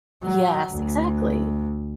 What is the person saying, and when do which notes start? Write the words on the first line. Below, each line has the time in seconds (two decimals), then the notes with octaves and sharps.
Yes, exactly.
0.23 F#3
0.71 D2